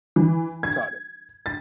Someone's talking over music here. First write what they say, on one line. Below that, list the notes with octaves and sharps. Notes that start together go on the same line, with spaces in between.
Got it.
E3
G#6
A6